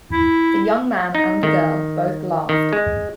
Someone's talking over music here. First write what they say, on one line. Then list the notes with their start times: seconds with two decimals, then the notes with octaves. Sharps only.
The young man and the girl both laughed.
0.12 E4
1.15 D#4
1.43 D#3
2.49 D#3
2.73 G#3